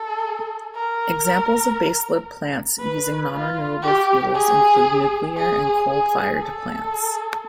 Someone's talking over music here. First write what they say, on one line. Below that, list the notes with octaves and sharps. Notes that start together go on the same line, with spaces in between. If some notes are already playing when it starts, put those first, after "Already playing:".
Examples of baseload plants using nonrenewable fuels include nuclear and coal-fired plants.
Already playing: A4
A#4
B4
F4
G4
G#4
G#4
G#4
A4